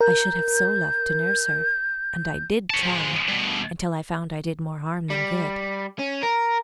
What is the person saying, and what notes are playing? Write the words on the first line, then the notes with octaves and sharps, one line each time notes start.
I should have so loved to nurse her; and I did try, until I found I did more harm than good.
A#4 G6
C#5 A5
F3 G#3
G2 B2
G3
C#4
A#4